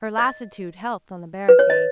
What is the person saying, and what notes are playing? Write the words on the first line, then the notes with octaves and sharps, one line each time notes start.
Her lassitude helped on the barricade.
D#5
B4
C#5
D#5